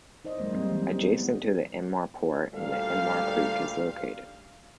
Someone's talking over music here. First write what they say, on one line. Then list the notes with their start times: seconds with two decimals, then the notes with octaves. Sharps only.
Adjacent to the Ennore Port the Ennore Creek is located.
0.25 D#4 C5 D5 D#5
0.38 F#3 G#3 A#3 C5
0.51 G3 C4 D#4
0.71 E3 G3
1.03 B3
2.53 D2 A#2 G3 A4 F5